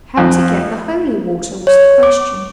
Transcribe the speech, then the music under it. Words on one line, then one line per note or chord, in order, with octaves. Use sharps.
How to get the holy water was the question.
F2
C#5
D6